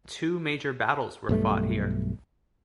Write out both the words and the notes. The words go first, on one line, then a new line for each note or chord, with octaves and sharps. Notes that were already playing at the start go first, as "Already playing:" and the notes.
Two major battles were fought here.
B1 G2 A3